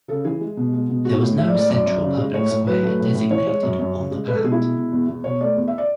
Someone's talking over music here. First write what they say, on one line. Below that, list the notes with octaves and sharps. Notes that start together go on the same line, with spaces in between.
There was no central public square designated on the plat.
C#3 A4
E3 G#4
G#3
B2
G#3
B2
G#3 F#4
A2 G#4
G#3 E5
D5
A2
D5
F#2 D5
F#2
C#3
G#3
A2 C#5
A2
F#3 B4
A3
A2
A2
E3 C#5
G#3 C#5
F#2
F#2
C#3
G#3
G#3 B4
A4
B2 G#4
E4
G#3
B2
E2
E2
B2 C#5
A3 D5
E2
E5
D5